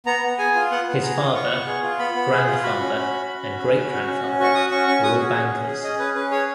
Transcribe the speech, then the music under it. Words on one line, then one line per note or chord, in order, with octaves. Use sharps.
His father, grandfather and great-grandfather were all bankers.
B3 A#5
B3
G#4 G#5
F4
B3 F#5
B3
G#4 A#5
F4
B3 C#6
B3
G#4
F4
B3 B5
B3
G#4
F4
F#4 B5
C#4
C#4
F#4
F#4
C#4
C#4
F#4
F#4
C#4
C#4
F#4 C#6
F#4 D#6
C#4 C#6
C#4 C#6
F#4 D#6
G#4
C#4
C#4
G#4
G#4 D#5
C#4 B4
C#4 B4
G#4 C#5